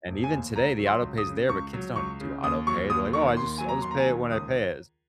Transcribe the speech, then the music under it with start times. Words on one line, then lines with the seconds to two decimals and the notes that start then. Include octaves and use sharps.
And even today, the autopay's there, but kids don't do autopay. They're like, "Oh, I just I'll just pay it when I pay it."
0.08 F1
0.24 G#5
0.31 D#2
0.55 C#2 A#5
0.79 F#3
0.86 C6
1.02 C#2
1.18 D#6
1.26 C#3
1.49 C#2 C#6
1.73 F#3
1.96 C#2 C#6
2.20 C#3
2.43 D#2 D#6
2.67 F#3 C#6
2.90 D#2 D#6
3.13 D#3 C#6
3.37 D#2 C6
3.58 F#3 G#5
3.69 A#5
3.82 D#2 C6
3.91 A#5
4.00 G#5
4.08 D#3
4.31 C#2 D#6